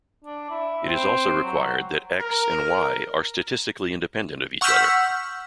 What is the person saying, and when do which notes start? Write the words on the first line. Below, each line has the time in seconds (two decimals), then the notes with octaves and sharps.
It is also required that "X" and "Y" are statistically independent of each other.
0.25 D4
0.50 E4
0.87 C4
1.42 F#3
2.20 A#4
4.61 F#5 C#6 E6 F6 G6 B6